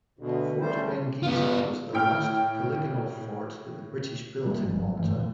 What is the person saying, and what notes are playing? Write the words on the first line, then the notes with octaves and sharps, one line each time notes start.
Fort Benghisa was the last polygonal fort that the British built in Malta.
D2 B2
C#2 A2 G3 C5
B3 F4
A2 G5 F6
G3 A#3
G1 G#2 F3 G#3
F#3
G2 E3 A3
A#2 A3